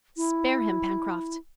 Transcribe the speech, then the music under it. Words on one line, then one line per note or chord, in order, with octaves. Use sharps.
"Spare him, Pencroft."
E4